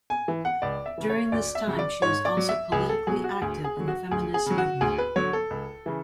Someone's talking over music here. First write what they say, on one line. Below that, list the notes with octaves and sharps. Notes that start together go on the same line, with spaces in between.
During this time she was also politically active in the feminist movement.
G#5
E3
F#5
C#2 D5
E5
C#3 E3
C#5
D2 D5
E5
C#3 F#3
D5
G#2 C#5
D5
F#3
E5
C#2 G#4
A4
B2 F#3 G#4
F#4
D2 G#4
G#4
D3 F#3
F#4
D2 G#4
G#4
C#3 F#3
F#4
D2 G#4
B4
D3 F#3 C#5
A4
C#2
C#3 E3